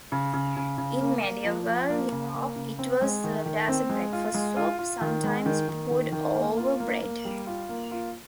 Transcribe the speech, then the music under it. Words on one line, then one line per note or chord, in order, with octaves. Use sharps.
In medieval Europe, it was served as a breakfast soup, sometimes poured over bread.
C#3
C#3
C#3
C#3
A#3
A#3
F3
F3
A#3
C#3
A#3
C#3
C4
G#3
D#3
D#3
C4
G#3
F4
G#3
F4
F4
D#3
G#3
D#3
D#3
D#3
D#3
A#3
F4
A#3
A#3
G3
F4
A#3
F4